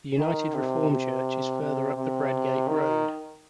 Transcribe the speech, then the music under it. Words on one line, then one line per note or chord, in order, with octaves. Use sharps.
The United Reformed Church is further up Bradgate Road.
D#3
C3
C3
C3
C3
D#3